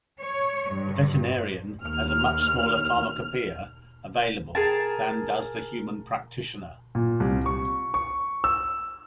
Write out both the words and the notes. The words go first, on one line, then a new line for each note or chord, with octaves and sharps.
The veterinarian has a much smaller pharmacopeia available than does the human practitioner.
C#5
G2
D#2 F6
G#4 A#4 A5
A#2
C2
C#6
C#6
E6